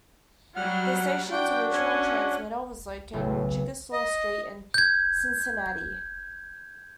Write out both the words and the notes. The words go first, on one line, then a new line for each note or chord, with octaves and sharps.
The station's original transmitter was located on Chickasaw Street in Cincinnati.
F#3 G3 F#5 F6
D4 F#4 G5
C#4
B1 A2 C#3 A3
D#5
G6 G#6